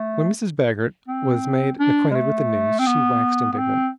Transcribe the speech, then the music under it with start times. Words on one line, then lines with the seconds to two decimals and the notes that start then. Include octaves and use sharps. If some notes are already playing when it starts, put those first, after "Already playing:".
When Mrs. Baggert was made acquainted with the news, she waxed indignant.
Already playing: A3
1.08 C4
1.79 D4
2.11 G#3
2.15 A3
2.79 C4
2.86 B3
3.53 B3
3.58 C4